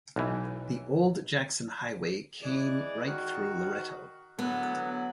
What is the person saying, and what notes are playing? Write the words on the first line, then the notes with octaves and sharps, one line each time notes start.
The Old Jackson Highway came right through Loretto.
B1 E3
E3 G#3 D5
D#3 F#4
E2 D3 F#3 B3